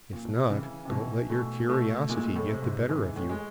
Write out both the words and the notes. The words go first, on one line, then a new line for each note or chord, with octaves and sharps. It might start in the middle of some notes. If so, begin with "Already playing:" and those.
If not, don't let your curiosity get the better of you.
A#2
B2
C3
C#3 E3
C3
B2 E3
B2 A3
B2 A3
A#2 G#3
A2
C3
G#2
G#2 E3
A2
G#3